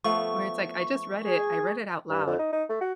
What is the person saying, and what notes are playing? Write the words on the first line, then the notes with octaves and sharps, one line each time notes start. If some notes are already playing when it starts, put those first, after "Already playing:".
where it's like, I just read it, I read it out loud,
F3 A3 B3 C#6
G#4
G2
F2
D#4
D#4
A3
F#4